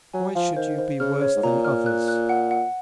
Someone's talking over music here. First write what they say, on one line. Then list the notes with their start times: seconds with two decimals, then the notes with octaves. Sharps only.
"Why should you be worse than others?"
0.13 F#3 G#5
0.35 F3 F5
0.57 D#3 C5
0.79 C5
1.00 C#3 F6
1.22 C#5
1.36 G#2
1.43 A#2 A#5
1.65 F6
1.86 F#6
2.08 F#6
2.29 F#5
2.51 F#5